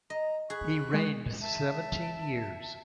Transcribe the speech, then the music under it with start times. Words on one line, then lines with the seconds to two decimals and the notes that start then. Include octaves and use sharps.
He reigned seventeen years.
0.10 D#5 A#5
0.50 G#4 B5 C#6 F#6
0.94 G#3
1.40 E5 A5